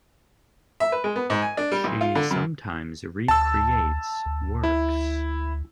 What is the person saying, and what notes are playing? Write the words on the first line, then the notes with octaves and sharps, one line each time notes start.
She sometimes re-creates works.
E5
B4
G#3
B3
G#2
G#5
D4
G3
B1
F4
D3
F#2
D2 A5 E6
D2
E4